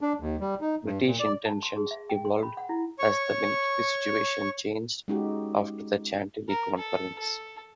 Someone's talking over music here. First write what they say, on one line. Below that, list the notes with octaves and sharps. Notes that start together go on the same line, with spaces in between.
British intentions evolved as the military situation changed after the Chantilly Conference.
D4
D#2
G3
D#4
G2
A#2
D5
A5
C6
G#4
E5
G5
C6
B5
F#5
E4
C#5 C#6
G#3 C#4 D#4 F#4 G4
A#4
A4
A4